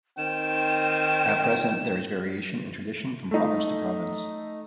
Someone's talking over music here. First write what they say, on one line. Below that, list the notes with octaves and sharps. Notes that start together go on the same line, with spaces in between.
At present there is variation in tradition from province to province.
D#3 C4 G5 E7
A3 D#4